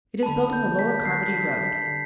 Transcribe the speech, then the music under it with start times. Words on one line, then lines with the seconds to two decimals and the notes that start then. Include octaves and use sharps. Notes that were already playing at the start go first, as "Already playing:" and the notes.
It is built on the lower Carmody road.
0.23 A5
0.26 D3 B5
0.53 G6
0.66 G3 B3 D4
0.79 B6
1.05 D3 C7
1.26 B6
1.45 G3 B3 D4 B6
1.65 B6
1.85 D3 C7